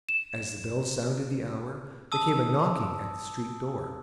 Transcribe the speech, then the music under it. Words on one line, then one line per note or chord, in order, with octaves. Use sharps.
As the bell sounded the hour, there came a knocking at the street door.
E7
A5 D#6 E6